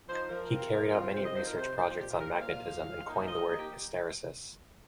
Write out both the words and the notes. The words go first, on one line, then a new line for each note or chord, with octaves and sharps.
He carried out many research projects on magnetism and coined the word 'hysteresis'.
F3 D#4 C5
F3 A#4
C4 F4
F3
C4 F4
C3 C5
D#5
F3 D#4 C5
A#4
C3 C5
F3 D#4 C5
A#2 G4
F4
F3 A#3 A#4
C5
A#2 F5
F3 A#3
F3
A#3 D#4
F3 D#5
A#3 D#4 D#5
G4